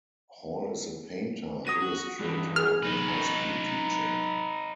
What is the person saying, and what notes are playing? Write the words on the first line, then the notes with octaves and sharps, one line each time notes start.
Hall is a painter, illustrator and high school teacher.
F#3 D#6 A#6 D#7
F#4
G2 E3
G#4 F6
D#4 B4